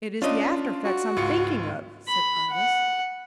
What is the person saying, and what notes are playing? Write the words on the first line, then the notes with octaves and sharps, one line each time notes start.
"It is the after effects I'm thinking of," said Pybus.
C#4 D4 F4 D5 D#5
F#4
C#2 G#2 F4 C#7
B5
F#5